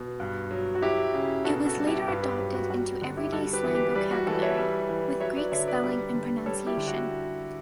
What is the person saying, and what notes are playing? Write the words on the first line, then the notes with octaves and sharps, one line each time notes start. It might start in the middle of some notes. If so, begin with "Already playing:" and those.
It was later adopted into everyday slang vocabulary, with Greek spelling and pronunciation.
Already playing: B2
G2
F#3
F#4
F#3 E4 G4
C#3
B2 F#4 A4
F#4 A4
G3
E4 G4
G2 G4 B4
G4 B4
F#3 G4 B4
F#4
G3 F#4
D3 F#4
E4 G4
G3 F#4 A4
G4 B4
E3
G4 B4
G3 B4 D5
F#4
E3 F#4 A4
C#5 E5
G3
E3
F#3 C#5 E5
B4 D5
D3 C#5 E5
B4 D5
G3 B4 D5
D3
G3 A4 C#5
E4 G4
D3
F#4